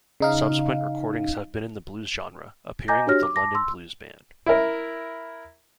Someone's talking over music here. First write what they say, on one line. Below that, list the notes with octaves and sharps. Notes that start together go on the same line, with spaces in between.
Subsequent recordings have been in the blues genre, appearing with the London Blues Band.
C#3 D#4 F5
D#5 G#5 A#5 D6 G6 A#6
D4 F#4 G4 C#5 F6 A#6
D6
A5 D6 A#6
C6 E6
E4 A#4